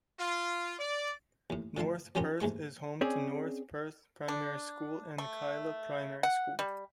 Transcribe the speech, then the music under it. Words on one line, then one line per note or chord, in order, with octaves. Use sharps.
North Perth is home to North Perth Primary School and Kyilla Primary School.
F4
D5
D#2 A2
D3 F3 A3 F5 A5
F3 F#3 C#4 F4 G4 A#4
D#2 G#2 G#3 A3 C#6
C4 C#4 G#4 D5
D4
A3
F#5
G3